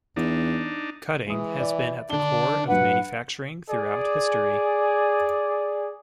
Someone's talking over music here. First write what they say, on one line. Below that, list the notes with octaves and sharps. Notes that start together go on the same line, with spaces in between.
Cutting has been at the core of manufacturing throughout history.
E2 D4 D#4
E3 G#3 D#6
D5 E5
D3 D4 G7
G2 F#3 B4 F#5
G#4 D5